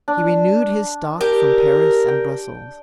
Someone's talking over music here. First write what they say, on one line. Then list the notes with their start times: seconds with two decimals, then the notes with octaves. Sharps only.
He renewed his stock from Paris and Brussels.
0.08 D4
1.21 G4 A#4
2.08 G5